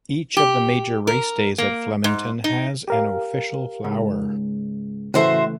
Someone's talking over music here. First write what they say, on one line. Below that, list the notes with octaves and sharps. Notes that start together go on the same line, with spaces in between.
Each of the major racedays at Flemington has an official flower.
G4
A#4
A#3
G#2
D#4
G4 A#4 F5
C#2 G#2
A2 C#3 E3 A3 F#4 C5 E5